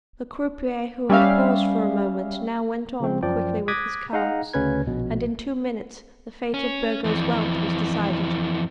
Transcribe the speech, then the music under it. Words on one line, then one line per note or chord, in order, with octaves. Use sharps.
The croupier who had paused for a moment now went on quickly with his cards, and in two minutes the fate of Burgo's wealth was decided.
G3 C#4 E5 F5
C#3 F3 C4
F#2 F3 D5 G5
D6 D#6 F#6 G#6 A#6 B6
D#4 G#4 F5 F#5 A#5
D2 C#3 C#4 B4 G#6
A#1 B2
C#4
F2 E3